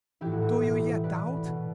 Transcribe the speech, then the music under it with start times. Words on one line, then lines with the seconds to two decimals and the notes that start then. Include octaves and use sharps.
"Do you yet doubt?"
0.21 A2 E3 E4 G4
0.31 F#4
0.42 F#4
0.52 E4 G4
0.62 B2 E4
0.84 E4
1.04 B2 B4 D5
1.46 B2